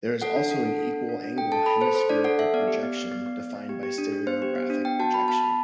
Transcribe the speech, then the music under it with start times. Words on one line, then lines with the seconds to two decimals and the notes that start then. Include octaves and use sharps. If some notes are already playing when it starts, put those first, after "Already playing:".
There is also an equal-angle hemispherical projection defined by stereographic projection.
0.22 A4 F#5
0.36 D4
0.51 D4
0.66 A4
0.79 D4
0.94 D4
1.09 D4
1.24 D4
1.37 A4 G5
1.52 A4 A5
1.66 A4 B5
1.81 A4 C5
1.95 A4 C5
2.09 D4 D5
2.24 A4 F#5
2.39 A4 E5
2.54 B3 D5
2.67 G4
2.83 B3
2.97 B3
3.11 B3
3.26 B3
3.40 B3
3.55 B3
3.69 G4
3.83 G4
3.98 D4
4.12 D4
4.27 B3 C5
4.42 G4
4.55 B3
4.70 D4
4.85 B3 G5
4.99 F#4 A5
5.14 B3 B5
5.28 B3 A5
5.42 B3 B5